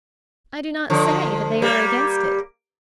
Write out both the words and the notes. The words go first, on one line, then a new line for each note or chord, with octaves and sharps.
I do not say that they are against it.
D3 F3
G3 A#3